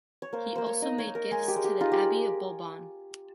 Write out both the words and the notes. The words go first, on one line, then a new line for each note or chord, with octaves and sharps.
He also made gifts to the Abbey of Boulbonne.
C#5
A#3 C5
A#3 C5
C#5
D#4 D#5
C#5
D#4
A#4
G#3 G#4
G4
G#3
G4
D#4 F4
G4